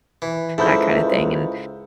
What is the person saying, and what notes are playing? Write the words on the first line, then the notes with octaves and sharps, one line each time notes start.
that kinda thing, and
E3
C#2 G#2 E4 A4 B5 G6